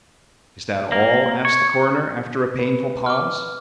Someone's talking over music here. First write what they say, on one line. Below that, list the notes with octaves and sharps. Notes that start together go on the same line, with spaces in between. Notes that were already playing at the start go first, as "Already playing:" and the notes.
"Is that all?" asked the coroner, after a painful pause.
A#3
C#5
B4
D6 F6